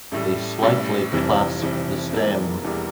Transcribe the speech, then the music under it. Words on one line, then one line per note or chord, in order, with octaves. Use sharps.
They slightly clasp the stem.
A1 A2 G3 A3
A1 A2 G3
F1 F2 E3 G3
F1 F2 E3 G3
E1 E2 E3 G3 A#3
E1 E2 E3 G3